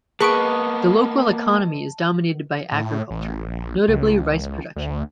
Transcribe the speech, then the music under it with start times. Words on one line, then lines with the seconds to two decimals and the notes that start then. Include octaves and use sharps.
The local economy is dominated by agriculture, notably rice production.
0.21 A#3 B3 G#4 B4 D#5 A5 C#6 D7
2.72 A2
3.10 A1
3.48 A#1
3.88 C#2
4.76 D2